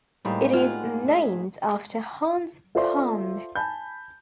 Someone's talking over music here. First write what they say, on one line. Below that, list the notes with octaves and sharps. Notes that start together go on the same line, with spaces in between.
It is named after Hans Hahn.
A2 G3 G#3 A#3 D#4 C5
F4 F#5 G#5
G#4 E5
F4 A4 C5 D5 E5 C6
G#5 A5 B5 G6